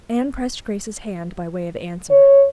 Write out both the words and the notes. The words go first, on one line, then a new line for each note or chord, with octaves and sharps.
Anne pressed Grace's hand by way of answer.
C#5